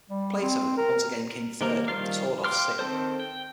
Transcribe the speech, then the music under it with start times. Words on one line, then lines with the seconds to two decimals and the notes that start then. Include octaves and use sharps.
Plato once again came third, with Tordoff sixth.
0.09 G3
0.42 C4
0.77 A#4
1.61 D#3 A#3 A#4
1.88 D#3 F3 G3 F4 F5
2.44 F5 G5 C6 D6 F6
2.79 D#3 C4 A4 C5
3.20 G5